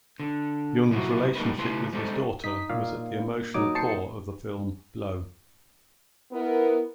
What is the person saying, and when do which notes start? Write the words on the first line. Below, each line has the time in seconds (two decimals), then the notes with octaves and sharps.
Jung's relationship with his daughter was at the emotional core of the film, "Blow".
0.20 D3
0.90 C2 C3 F#3 D#4 E4 F#4
1.35 G3 A3 A#3 D#4 B4
1.58 C#3 A3 E4 B4 C6
1.93 G3 G#3 C4 G4 A4
2.44 D#4 B6
2.70 A#2 F5
3.54 F#3 D#4 D6
3.75 C5 A5 C7 C#7
6.32 B3 E4 A#4